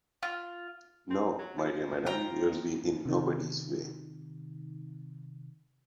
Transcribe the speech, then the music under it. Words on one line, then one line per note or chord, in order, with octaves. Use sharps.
No, my dear madam, you will be in nobody's way.
F4
C4
F#3
F3
G5 A#5
C3 D#3